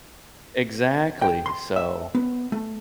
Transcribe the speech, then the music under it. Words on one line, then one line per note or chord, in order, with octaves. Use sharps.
exactly, so,
G5
C6
E5
B3
A3